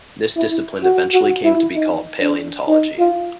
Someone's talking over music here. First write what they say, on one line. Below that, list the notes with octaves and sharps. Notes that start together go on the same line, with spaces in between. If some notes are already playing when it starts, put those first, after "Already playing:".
This discipline eventually came to be called palaeontology.
E4
F#4
F#4
E4
D#4
D4
D#4
F4